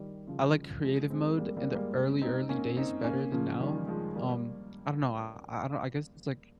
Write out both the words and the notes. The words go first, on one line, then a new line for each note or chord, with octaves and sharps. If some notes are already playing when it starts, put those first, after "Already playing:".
I like Creative mode in the early, early days better than now. Um, I don't know, I I don't I guess it's, like
Already playing: D#3 G3
C#3 F3
F3 G#3
G#3 C4
G3 A#3
G3 A#3
G#3
G3 A#3
G#3 C4
C4 D#4
A#3 C#4
C4 D#4
A#3 C#4
C#3 F3
D#3 G3
F3 G#3
G3 A#3